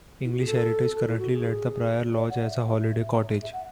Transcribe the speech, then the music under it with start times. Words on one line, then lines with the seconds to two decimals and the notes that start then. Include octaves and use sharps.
English Heritage currently let the Prior's Lodge as a holiday cottage.
0.24 E4
0.32 F#4
0.39 G#4
0.46 A4
1.07 E4
1.18 F#4
1.31 G#4
2.16 D5
2.30 F#5
2.44 E5
3.43 E5
3.53 F#5